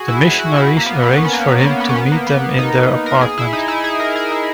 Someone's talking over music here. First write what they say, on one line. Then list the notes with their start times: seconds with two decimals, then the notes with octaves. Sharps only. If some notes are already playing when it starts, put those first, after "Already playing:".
The missionaries arrange for him to meet them in their apartment.
Already playing: F#4 G#4
0.08 E4
0.39 F#4
0.56 E4
0.77 A#3
0.86 B3
1.02 B3
1.17 C#4
1.25 B3
1.33 A#3
1.49 A#3
1.60 A#3
1.65 B3
1.80 B3
1.89 C#4
1.96 B3
2.12 A#3
2.27 B3
2.59 D#4
3.06 A#4
3.21 G#4
3.38 E4
3.53 D#4
3.68 E4
3.84 G#4
4.00 A#4
4.16 G#4
4.32 E4